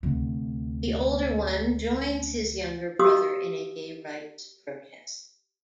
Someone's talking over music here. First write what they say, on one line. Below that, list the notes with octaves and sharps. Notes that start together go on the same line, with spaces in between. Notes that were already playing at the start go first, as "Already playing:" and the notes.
The older one joins his younger brother in a gay rights protest.
D2 C3
C#4 F#4 G4 F5 D#6 E6